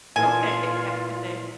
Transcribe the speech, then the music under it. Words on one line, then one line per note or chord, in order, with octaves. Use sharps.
Okay. Have a good day.
A#2 E3 F4 A4 G#5